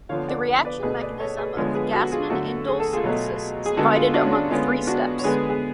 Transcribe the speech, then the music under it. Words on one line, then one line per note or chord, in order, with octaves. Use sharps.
The reaction mechanism of the Gassman indole synthesis is divided among three steps.
D3 F3 B3 C#5 F5
D5 F#5
B4 D5
B2 A3 G#4 B4
B4 D5
A4 C#5
G#4 B4
D3 F3 G#3 B3 A4 C#5
G#4 B4
F#4 A4
F4 G#4
D3 F#3 A3 F#4 A4
G#4
A4
F4 G#4
B2 F#3 A3
G#4
D3 G#3 B3 F#4 A4
F4 G#4
D4 F#4
C#4
D4
D3 G#3 B3 C#4 F4
D4 F#4
C#5
D3 G#3 B3 G#4 B4
G#4